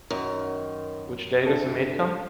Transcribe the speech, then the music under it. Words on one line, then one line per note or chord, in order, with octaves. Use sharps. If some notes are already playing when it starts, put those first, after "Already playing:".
Which day does the maid come?
F#2 D#3
D2 D4 A4